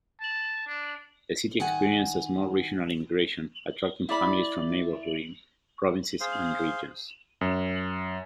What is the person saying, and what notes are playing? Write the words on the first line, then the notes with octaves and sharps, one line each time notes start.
The city experienced a small regional immigration, attracting families from neighboring provinces and regions.
A5
D4
D#3 F#5 G#5
E4 D5 B5
G#4 C5 F5
F#2